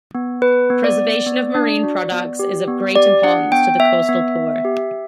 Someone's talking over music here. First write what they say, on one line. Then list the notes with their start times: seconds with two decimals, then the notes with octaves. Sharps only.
Preservation of marine products is of great importance to the coastal poor.
0.15 B3
0.42 B3 B4
0.70 B3
0.84 D5
0.98 B3
1.27 B3
1.55 D4
1.83 F#4
2.12 B3
2.39 G4
2.68 B3
2.96 G4 D5
3.23 D4 F#5
3.52 B3 G5
3.80 B3 E5
4.09 B3
4.36 B3
4.65 G4